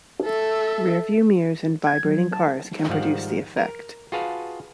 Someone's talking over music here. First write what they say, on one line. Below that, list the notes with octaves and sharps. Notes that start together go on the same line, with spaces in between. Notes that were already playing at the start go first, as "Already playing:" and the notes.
Rear-view mirrors in vibrating cars can produce the effect.
A4 E5
G#6
F#3
A5
G#2 D#3 F3 G3 F5 F#5
A#4
F4 F#4 G#4 B4 F5 A5